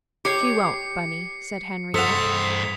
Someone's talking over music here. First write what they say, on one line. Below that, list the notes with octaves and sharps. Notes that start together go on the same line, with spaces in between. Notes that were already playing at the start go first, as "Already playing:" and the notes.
"She won't, Bunny," said Henriette.
G4 C#5 C7 C#7
G2 A4 C5 F#5 D#6 B6 F7